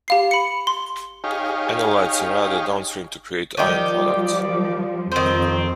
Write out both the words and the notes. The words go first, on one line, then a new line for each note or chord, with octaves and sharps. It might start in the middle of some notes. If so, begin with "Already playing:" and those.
Analytes are added downstream to create ion products.
G4 F5 C7
B5 C#7
C6
D#4 G4 G#4 C#5 F5
D#3 F3 G3 G4 D5
F2 D#3 C4 C5